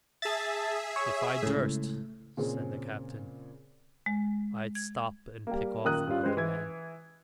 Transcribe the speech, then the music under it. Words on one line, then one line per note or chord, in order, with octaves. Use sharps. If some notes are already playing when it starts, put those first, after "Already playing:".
"If I durst," said the captain, "I'd stop and pick off another man."
G#4 E5 A5 A6
C#5
C#2 A2
A#2 C#3 C4 G#4
G#3
G#6
G3 A#3
F#2 A#2 D#3 A#4 D#6 F#6
G2 C#4 F4
G#3 G4 B4 C5
E3 G#6